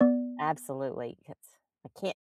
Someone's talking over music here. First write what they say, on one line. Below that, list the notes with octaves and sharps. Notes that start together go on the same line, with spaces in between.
Absolutely, 'cause I can't
B3 D5